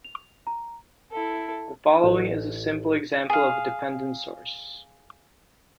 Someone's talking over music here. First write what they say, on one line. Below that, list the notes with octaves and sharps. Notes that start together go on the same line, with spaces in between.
The following is a simple example of a dependent source.
F7
A#5
E4 A4
A1
G#4 F5